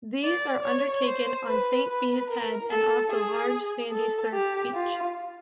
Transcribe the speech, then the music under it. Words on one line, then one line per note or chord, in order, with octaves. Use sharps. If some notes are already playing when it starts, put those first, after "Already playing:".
These are undertaken on Saint Bees Head and off the large sandy surf beach.
D5
C#5
C5
B4
B4
A#4
A4
G#4
A4
G4
F4